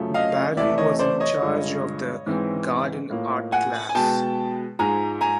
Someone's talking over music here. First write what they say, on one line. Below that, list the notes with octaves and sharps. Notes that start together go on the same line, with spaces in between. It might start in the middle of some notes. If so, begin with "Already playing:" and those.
Baron was in charge of the "Garden Art Class".
Already playing: F#2 C#3 F3 A3
D#5 F5
E2 C3 E3 A3 D5 E5
C#5 D#5
C5 D5
C#5 D#5
G2 D3 F3 G#3
G#2 E3 G#3 C4
A2 F3 A#3
F#5 G#5
G#5
B2 G#3 B3 G5 A5
G#2 F3 G#3 G#5 A#5
G#5 A#5